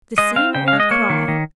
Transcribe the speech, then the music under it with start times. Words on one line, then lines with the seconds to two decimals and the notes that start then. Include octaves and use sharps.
The same old cry.
0.18 G#3 D#5
0.36 C4 F5
0.55 C#3 G5
0.68 F5
0.73 G#3
0.80 D#5
0.91 A#3 C#5
1.10 D#3
1.28 D#3